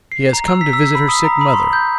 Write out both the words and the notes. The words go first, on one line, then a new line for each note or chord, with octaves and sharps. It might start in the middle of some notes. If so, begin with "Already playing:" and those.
She has come to visit her sick mother.
C7
A#5
E6
B6
E6
B5
D#6
A#5
B5
C6
G6